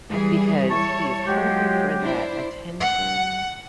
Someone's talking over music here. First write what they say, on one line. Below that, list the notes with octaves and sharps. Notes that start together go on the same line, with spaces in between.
because he is hungry for that attention
E3 G3 G#4
G3 E4 C#5 A5 C#6
F3 F#3 G#3 G4
D4 E4 C5
F#5